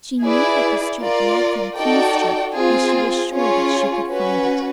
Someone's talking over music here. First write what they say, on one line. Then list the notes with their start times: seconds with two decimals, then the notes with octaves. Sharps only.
She knew that the street led from King Street, and she was sure that she could find it.
0.23 E4 G#4 B4 D5
1.00 F4 A#4 D5
1.77 D#4 F#4 A4 D5 G5
2.55 C4 F4 G#4
3.33 C#4 F4 G#4 C#5
4.10 C#4 F#4 B4